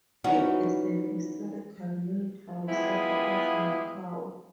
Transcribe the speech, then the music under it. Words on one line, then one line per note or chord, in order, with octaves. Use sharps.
It is the historical military centre of Macau.
E3 G3 C#4 D#4 F#4
G#3 B3 E4 F4 G4 G#4